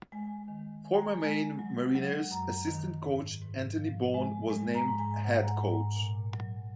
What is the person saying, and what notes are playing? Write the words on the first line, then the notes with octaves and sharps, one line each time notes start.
Former Maine Mariners assistant coach Anthony Bohn was named head coach.
G#3 G#5
D#3
D#3 G#5
A#5
G#5
G#3
F#3
F#3
F#2 A#5
D#3
G#2
G#2
F3
G#3
G#3 G#5
A#5
G#2
G#5
G#2 F#5
A#5
G#5
G#2
A#5
A#2 G#5
F#3